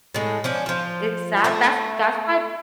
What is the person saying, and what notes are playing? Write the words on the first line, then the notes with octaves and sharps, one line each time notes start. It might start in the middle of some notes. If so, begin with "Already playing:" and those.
Exact That's that's why
A2 G#3
F3 C#4 D4
F3 F4
A3 E5